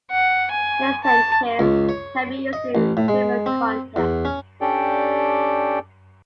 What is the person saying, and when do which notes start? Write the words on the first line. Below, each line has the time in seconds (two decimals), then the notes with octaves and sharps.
Incentives can be used in several contexts.
0.11 F#5
0.51 G#5
1.04 A5
1.59 C#2
1.89 C#5
2.53 D#5
2.75 A1
2.97 A2
3.08 G#3
3.46 C4
3.96 E2
4.25 C#4
4.61 C#4 D4 G4 A4 D5 G5